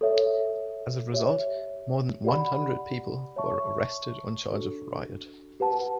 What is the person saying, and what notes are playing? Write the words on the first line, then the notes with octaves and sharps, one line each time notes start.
As a result, more than one hundred people were arrested on charge of riot.
A4 C#5 E5
G4 C#5 E5
G4 D5 F#5 B5
C#5 E5 A5 C#6
D4 F#4 A4
G4 B4 F#5 A5